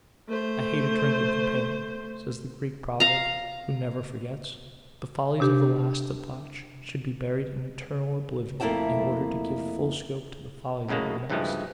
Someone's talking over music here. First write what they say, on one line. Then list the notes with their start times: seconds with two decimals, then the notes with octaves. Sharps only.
I hate a drinking companion, says the Greek proverb, who never forgets. The follies of the last debauch should be buried in eternal oblivion, in order to give full scope to the follies of the next.
0.28 A3 C5
3.00 F5 A#5
5.40 C3 D4 G4
8.60 F2 A3 A#3 E4 G4 A5
10.88 F#2 A2 C#3 G#3 A#3
11.30 C#2 G2 E3 F3 G#3 A3